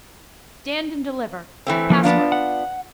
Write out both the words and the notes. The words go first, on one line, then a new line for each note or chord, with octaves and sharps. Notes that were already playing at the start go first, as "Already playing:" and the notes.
Stand and deliver. Password.
E3 A3 C4
F3 A#3
B3 D4 F4
F#5